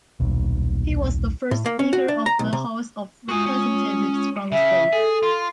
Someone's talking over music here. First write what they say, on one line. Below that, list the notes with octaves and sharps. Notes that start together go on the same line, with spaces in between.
He was the first Speaker of the House of Representatives from the state.
D#1 B1
A2
A#3
C#4
F#4
D4
A#5
B1
C3
G#3 F4 F#4 G#5 D#6
C#4
C#3 E5
G#4 A4
F4 C6